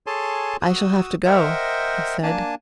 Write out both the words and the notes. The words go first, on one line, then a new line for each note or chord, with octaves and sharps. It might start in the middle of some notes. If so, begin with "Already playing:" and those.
"I shall have to go," he said.
G#4 A4 C#5 G#5 A5 C6
F#4 D#6 E6
A#4 C5 D#5 E5 F#5 G5
A#3 D4 G#5 A5